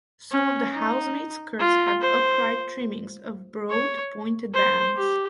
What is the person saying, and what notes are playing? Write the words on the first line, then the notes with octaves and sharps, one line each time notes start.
Some of the housemaid skirts have upright trimmings of broad pointed bands.
C#4
D#4
F4
C5
C#5
C5
G4